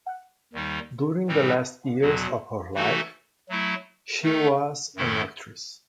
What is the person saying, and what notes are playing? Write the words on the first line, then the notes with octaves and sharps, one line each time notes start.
During the last years of her life, she was an actress.
D#2 D#3 G3 D#4
A2 E3 G3 C4 D#4
E2 B2 F#3
E3 A3 D#4 F#4 A4
F#3 A3 E4
D#3 A3 D#4 A4
F#2 D#3 A3 E4 A4